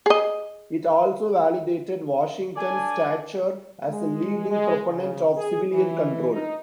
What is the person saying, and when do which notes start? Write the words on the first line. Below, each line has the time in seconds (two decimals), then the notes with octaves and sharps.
It also validated Washington's stature as a leading proponent of civilian control.
0.06 G#4 D#5
2.56 D4 A4 D5 G#5
3.88 G#3
4.50 G#3
4.89 C#3
5.37 G#4
5.72 E3
6.31 D#4